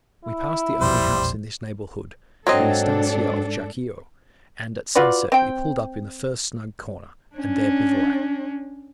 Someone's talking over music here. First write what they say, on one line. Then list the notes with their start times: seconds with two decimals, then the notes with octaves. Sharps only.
We passed the only house in this neighbourhood, the Estancia of Chaquaio: and at sunset we pulled up in the first snug corner, and there bivouacked.
0.25 E4
0.81 E1 A#1 F2 G3 C5
2.47 G#2 F#3 C4 D4 A4 D#5
4.95 F4 F#4 B4 D5
5.32 C4 G5
7.36 C#4 D4